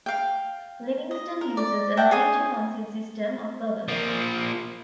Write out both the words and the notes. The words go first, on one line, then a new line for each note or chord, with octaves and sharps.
Livingston uses a manager-council system of government.
F5 G5
D#5
A#4
D5
E5 F#5 G5 A5
G#4 C#5 G#5 D#6
F3 A#3